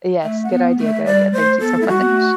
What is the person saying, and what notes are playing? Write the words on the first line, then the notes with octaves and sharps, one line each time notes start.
Yes, good idea, good idea, thank you so much.
A3 E5
F#5
B3
A3
E5
A3
G3 D5
A3 C5
B3 A4
A3 E4
G3 F#4
B3
A3